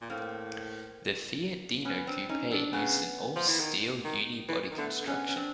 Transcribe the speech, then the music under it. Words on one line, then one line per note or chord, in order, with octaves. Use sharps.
The Fiat Dino coupe used an all-steel unibody construction.
A#2
A2 A#3 C4
B3 C#4
C4 D4
C#4 D#4
C4 D4
C#3 B3 C#4
F3
E3
D#3
D#3
E3
D#3
D3 A3 B3
D3
C#3 B3 C#4
C#4
C4 D4